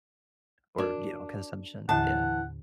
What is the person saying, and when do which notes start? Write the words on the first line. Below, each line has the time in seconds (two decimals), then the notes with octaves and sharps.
or, you know, consumption, yeah.
0.78 D4 F#4 A#4
1.89 D#2 A2 D3 E3 F#5 A5